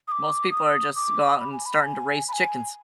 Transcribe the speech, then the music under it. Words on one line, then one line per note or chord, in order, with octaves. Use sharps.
Most people are just go out and starting to raise chickens.
D#6
D6
D#6
D6
B5
G#5
B5
G#5
B5
G#5